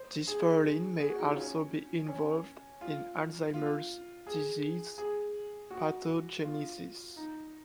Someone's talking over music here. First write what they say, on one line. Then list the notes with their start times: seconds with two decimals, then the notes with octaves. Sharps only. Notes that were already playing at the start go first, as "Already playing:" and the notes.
Dysferlin may also be involved in Alzheimer's disease pathogenesis.
Already playing: C5
0.28 G#4
1.00 G#4
1.09 F#4
1.18 D#4
1.27 F4
1.36 C#4
2.08 C#4
2.81 F4
3.54 F4
4.27 G#4
4.98 G#4
5.70 F#4
6.44 F4
7.16 D#4